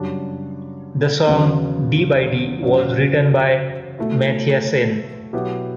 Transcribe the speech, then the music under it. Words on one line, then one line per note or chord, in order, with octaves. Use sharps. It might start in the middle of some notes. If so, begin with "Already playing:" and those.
The song "D by D" was written by Mathiassen.
Already playing: F#2 C#3 G3 D4 F#4
E2 C#3 F#3 B3
F#2 C#3 F#3
B2 A3 E4
B2 F#3 B3 E4 G4